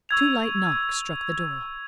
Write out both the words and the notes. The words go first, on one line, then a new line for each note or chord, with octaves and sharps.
Two light knocks struck the door.
C#6 E6 G#6 F7